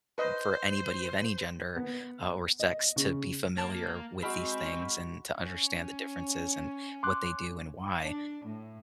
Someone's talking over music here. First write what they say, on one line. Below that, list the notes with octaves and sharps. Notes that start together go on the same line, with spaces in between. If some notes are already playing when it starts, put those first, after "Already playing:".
for anybody of any gender, uh, or sex to be familiar with these things and to understand the differences and what they do and why.
B4 C5 D#5
B3
D#5
C#3
A#3 A5
G#3 C4 F#4 F#5 B5 F6 B6
C#4
C6 D6 F#6
D4
A2